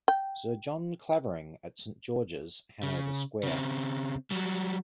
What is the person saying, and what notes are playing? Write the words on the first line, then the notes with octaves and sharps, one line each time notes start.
Sir John Clavering, at Saint George's, Hanover Square.
G5
C#3
C#3 C4
F#3 G3